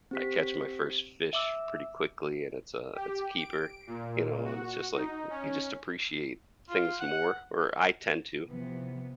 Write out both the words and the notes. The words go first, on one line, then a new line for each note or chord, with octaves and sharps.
I catch my first fish pretty quickly, and it's a it's a keeper, you know, and it's just like you just appreciate things more, or I tend to
C4 G4 B6
E5 D6 E6
G4
D7
A#2
F#4
D#4
C#4
F4
F#5
C3 E3 F3 B3